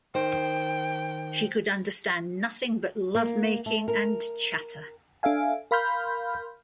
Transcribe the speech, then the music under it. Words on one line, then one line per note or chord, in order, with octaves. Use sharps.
She could understand nothing but love-making and chatter.
D#3 C5 G5
A#3
A3
A#4
D4 A4 E5 F5 G#5
A#4 F5 B5 C6 F6 G6